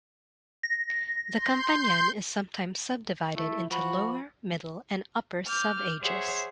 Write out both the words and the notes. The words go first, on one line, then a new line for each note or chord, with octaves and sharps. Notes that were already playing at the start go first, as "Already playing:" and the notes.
The Campanian is sometimes subdivided into Lower, Middle and Upper subages.
A#6
C6 G6
A3 E4
F3 F#4 B5
D6 F6 G6
G#4 C5 C#5 E5 F#5